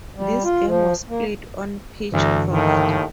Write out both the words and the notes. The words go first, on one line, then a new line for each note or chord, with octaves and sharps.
This game was played on Pitchcroft.
G3
F4
F3
A#3
D2 G2 D3 E3
D#2 A2 D#3